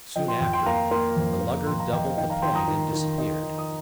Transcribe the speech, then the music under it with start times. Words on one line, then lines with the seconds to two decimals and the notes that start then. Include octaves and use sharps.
Soon after, the lugger doubled the point and disappeared.
0.16 F3 D#5 G5
0.28 G5 C6
0.40 F2 G5 C6
0.53 G5 C6
0.66 A#3 F5 A#5
0.91 A#3 G5 C6
1.16 F2
1.41 A#3
1.66 F2 G5 C6
1.80 F5 A#5
1.92 F2 D#5 G5
2.04 C5 F5
2.17 D#3 D#5 G5
2.30 F5 A#5
2.42 D#3 G5 C6
2.55 A#5 D#6
2.68 D#3
2.93 D#3
3.18 D#4
3.43 D#3
3.58 D#6